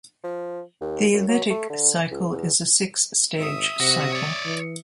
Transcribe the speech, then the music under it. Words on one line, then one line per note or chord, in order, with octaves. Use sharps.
The lytic cycle is a six-stage cycle.
F3
D#2
F#2
F#3
A3
D3
C#2
E2
G#1 E5 D#6
C3 F#4
C#5 D5
E3